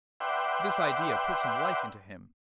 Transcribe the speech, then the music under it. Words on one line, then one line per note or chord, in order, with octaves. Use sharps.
This idea put some life into him.
B4 D5 E5 F#5 G5 C6